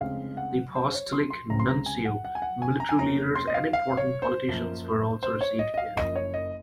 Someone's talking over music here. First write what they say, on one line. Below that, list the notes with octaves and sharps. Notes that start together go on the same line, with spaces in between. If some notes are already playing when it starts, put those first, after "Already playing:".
The Apostolic Nuncio, military leaders and important politicians were also received here.
F1 F2 C#3 G#3 C4 F5
F#5
C5
C#5
C6
C6
C#2 C#3 G#3 C4 A#5
C6
A#5
G#5
F#5
F#5
G#5
F#5
G#5
A#5
G#5
F2 C3 F3 A#3 C#4 A#5
C6
D#5
F5
F5
C#5
C5
F#2 F3 A#3
C5
C#5
D#5
D#5
F5
F#1 F#2 F3 D#5
C#5
D#5